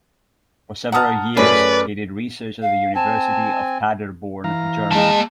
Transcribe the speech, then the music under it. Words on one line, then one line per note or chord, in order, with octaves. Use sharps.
For several years, he did research at the University of Paderborn, Germany.
F#5 A5 A#5 D#6 F6
F#2 A3 C#4 G#4 B4 D5
F5
C4 G#5 A5
E3 F5 A#5
G#3 A#3 A5